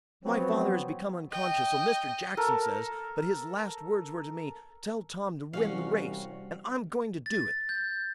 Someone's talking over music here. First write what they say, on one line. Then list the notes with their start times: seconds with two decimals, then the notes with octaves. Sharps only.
"My father has become unconscious, so Mr. Jackson says, but his last words were to me: 'Tell Tom to win the race!' And I'm going to do it!"
0.25 F3 F#3 B3 C4
1.31 D#5 G5
2.37 A4 A#4
5.53 C2 E3 G3 C#4 F#4 F5
7.26 A6
7.69 G6